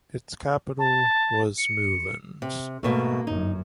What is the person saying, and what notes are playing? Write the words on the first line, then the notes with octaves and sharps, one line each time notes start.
Its capital was Moulins.
A5
C#7
C3
G#2 B2 A3 A#3
G1 F#2 D#4